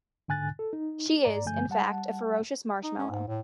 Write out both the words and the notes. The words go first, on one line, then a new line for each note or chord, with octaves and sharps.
She is, in fact, a ferocious marshmallow.
G#2 D3 G#5 F#6 A6
A4
D#4
G#2 D5 A#5
G2 D3 F3 A3 G#5 G6
G3 F#5 A5
D#4
C#4
G#2
A2